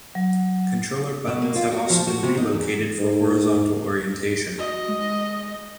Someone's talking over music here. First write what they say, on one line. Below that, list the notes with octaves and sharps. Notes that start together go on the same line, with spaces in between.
Controller buttons have also been relocated for horizontal orientation.
F#3
B2
A#3
F4
F#4
F3
F#4
C3
D#4
E2
G#2
F#4 D#5
G#3